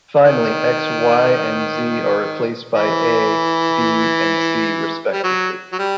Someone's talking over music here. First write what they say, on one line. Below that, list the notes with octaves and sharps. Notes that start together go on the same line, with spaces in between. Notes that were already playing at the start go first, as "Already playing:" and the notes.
Finally, X, Y and Z are replaced by A, B and C respectively.
D#3
E3
G3
F#3
F#3
G3